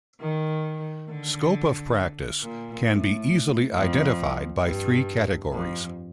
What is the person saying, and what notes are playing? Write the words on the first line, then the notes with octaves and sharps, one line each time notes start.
Scope of practice can be easily identified by three categories.
D#3
D3
A#2
A2
F2
G2
F2